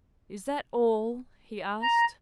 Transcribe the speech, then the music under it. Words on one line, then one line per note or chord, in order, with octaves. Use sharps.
"Is that all?" he asked.
A#5